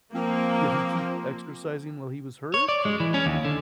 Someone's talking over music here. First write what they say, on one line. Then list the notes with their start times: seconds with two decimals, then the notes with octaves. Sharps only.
did he keep exercising while he was hurt? Or
0.14 F3 A#3 C4
2.54 C#5
2.69 D5
2.85 G#3
3.00 E3
3.14 C#4
3.26 D#2
3.45 D3